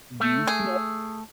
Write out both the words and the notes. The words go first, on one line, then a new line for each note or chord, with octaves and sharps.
do you feel
A3
G#4